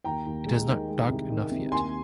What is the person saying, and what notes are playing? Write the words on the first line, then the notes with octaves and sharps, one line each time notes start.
It is not dark enough yet.
D#2 G5 A#5
D#2
G#3
D#3
G#3
C2
D#3
C3
D#2 G#5 C6